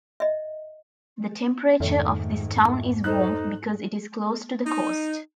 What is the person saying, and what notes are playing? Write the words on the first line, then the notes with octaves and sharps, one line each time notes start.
The temperature of this town is warm because it is close to the coast.
D#5 E5
F2 G#2 D#3 A3
D#4 A4 C5 F#6
D#4